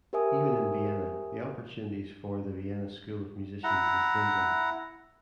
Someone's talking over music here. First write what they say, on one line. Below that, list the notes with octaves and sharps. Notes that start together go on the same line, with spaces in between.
Even in Vienna, the opportunities for the Vienna School of musicians was dwindling.
G4 A#4 C5 E5 G#5 D#6
E4 F#5 A#5